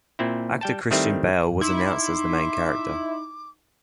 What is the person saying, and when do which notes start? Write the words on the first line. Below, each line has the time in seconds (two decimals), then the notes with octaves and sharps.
Actor Christian Bale was announced as the main character.
0.19 A#2 C4 E4
0.61 G3 G5 A5
0.91 D#3 G3 A3 C4 E4
1.61 D#4 E4 C6 D6